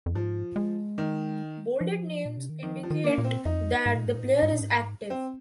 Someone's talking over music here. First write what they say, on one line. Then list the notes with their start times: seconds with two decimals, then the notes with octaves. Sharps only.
Bolded names indicate that the player is active.
0.06 F2
0.15 G#2 F3
0.56 G#3
0.98 D#3
1.81 F3
2.26 A#2
2.37 C3
2.50 D#3
2.63 D#3 F3
2.83 F3
2.90 D#3
3.04 A#3
3.18 A#2
3.24 C4
3.45 F2 D#4
3.86 G#2
3.95 A#2
4.06 G#2
4.15 A#2
4.23 G#2
4.34 A#2
4.43 G#2
4.53 A#2
4.61 G#2
5.10 C4